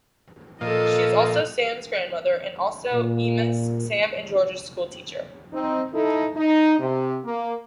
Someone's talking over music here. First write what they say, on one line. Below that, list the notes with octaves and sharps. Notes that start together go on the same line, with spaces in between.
She is also Sams grandmother and also Emus, Sam and Georgia's schoolteacher.
A#2 F3 A4 D#5
A#2
C4 D#4
D#4 E4 A4
D#4
C3
A#3